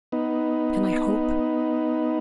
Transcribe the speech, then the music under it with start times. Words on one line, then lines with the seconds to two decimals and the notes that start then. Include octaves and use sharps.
Can I hope?
0.12 B3 D#4